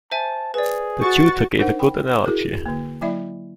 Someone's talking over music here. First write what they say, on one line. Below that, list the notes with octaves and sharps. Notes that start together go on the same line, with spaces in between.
The tutor gave a good analogy.
C5 E5 G#5 A5
G#4 B4 D5
F#4 C#6 A6
D4 D#4 A#4 C5 F#5
G5 B5
E4 F#4 G#4 A#4
D3 A#3
F#3 A#3 E4 D5 E5 B5